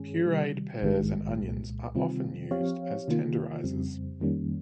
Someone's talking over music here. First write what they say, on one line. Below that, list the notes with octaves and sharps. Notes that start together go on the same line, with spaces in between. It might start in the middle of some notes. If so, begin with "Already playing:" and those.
Pureed pears and onions are often used as tenderizers.
Already playing: G2 D#3 G#3 C#4 G#4
C3 D#3 G3
A#1 G#2 D#3 G#3
C2 A#2 G#3
C3 D#3 G3 C4 F4
F3 C4 G4 C#5 F5
C3 D#3 A#3 F4
F2 C#3 G3 C4
F2 D#3 G3 A#3 C#4